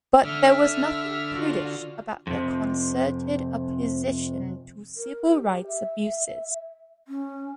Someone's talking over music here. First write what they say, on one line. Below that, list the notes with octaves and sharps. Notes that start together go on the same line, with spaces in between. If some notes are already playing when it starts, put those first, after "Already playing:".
But there was nothing prudish about their concerted opposition to civil rights abuses.
D3 E5 F6
F4 F#4
F2 C3
A#4
G4
G4
E5
C#4